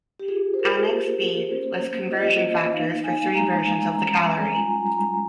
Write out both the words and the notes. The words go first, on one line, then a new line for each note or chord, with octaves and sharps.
Annex B lists conversion factors for three versions of the calorie.
G4
F4 G#4
C5
F4 A#4
A#3
A#3
C#4 C5
A#3
F4 D#5
A#3
D#4 F5
D#4 G#5
G#3 A#5
G#3 G#5
C#4 A#5
G3 G#5
A#5
F4 G#5
G3 A#5